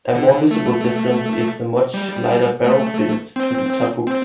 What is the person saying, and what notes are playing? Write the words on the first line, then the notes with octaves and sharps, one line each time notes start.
A more visible difference is the much lighter barrel fitted to the Tabuk.
D3
A3
G3
A3
C4
C4